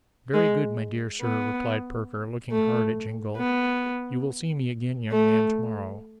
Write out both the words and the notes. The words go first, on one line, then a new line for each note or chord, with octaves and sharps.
'Very good, my dear Sir,' replied Perker, looking hard at Jingle. 'You will see me again, young man, to-morrow.
G#3
B3
A3
B3
A3